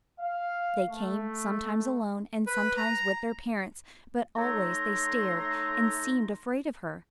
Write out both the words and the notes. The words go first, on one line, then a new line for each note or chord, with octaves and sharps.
They came, sometimes alone, and sometimes with their parents, but always they stared and seemed afraid of her.
F5
A3
B4
A#5
A3 D#4 C#5 E5 A#5 C6